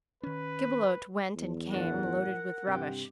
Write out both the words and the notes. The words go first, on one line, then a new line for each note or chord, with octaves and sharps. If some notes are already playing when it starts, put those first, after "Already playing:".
Gibelotte went and came loaded with rubbish.
D#3 C#4 B4
E2
F#2 A2 D4 A#4 F#5
G2 C3 G4